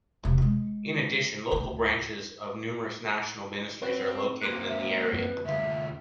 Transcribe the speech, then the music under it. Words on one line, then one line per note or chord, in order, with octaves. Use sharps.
In addition, local branches of numerous national ministries are located in the area.
E1 C3
G#3
D2 D3
C4 B4 C#5 F#5
A#3 C4 C6 D6 F#6
E5
F#2 B4
D2 F4 E5